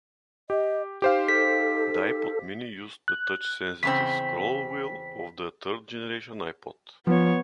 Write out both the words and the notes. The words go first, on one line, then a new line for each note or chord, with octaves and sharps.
The iPod Mini used the touch-sensitive scroll wheel of the third generation iPod.
G4 D#5
D#4 G4 C5 F5
A4 B6
F#6
E2 C#3 C4 B6
F3 B3 C#5